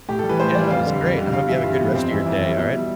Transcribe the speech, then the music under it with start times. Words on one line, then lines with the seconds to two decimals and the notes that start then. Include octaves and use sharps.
Yeah, it was great, and I hope you have a good rest of your day, alright?
0.09 A2 G4
0.19 A4
0.24 G3
0.29 E3 B4
0.39 A2 C5
0.55 E3 G3 D5
0.70 F2 F5
0.86 D3 G3
1.02 F2
1.17 D3 G3
1.33 G2 F5
1.48 E3 G3 E5
1.64 G2 F4
1.80 E3 G3 B3
1.95 F2 C4
2.11 E3 G3 E4
2.26 F2 E4
2.42 E3 G3
2.57 B2
2.73 G3